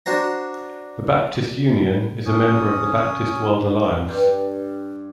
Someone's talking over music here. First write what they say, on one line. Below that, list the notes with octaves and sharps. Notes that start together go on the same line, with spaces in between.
The Baptist Union is a member of the Baptist World Alliance.
D4 F#4 C5 A#5
C#4 C#5 D#6
G2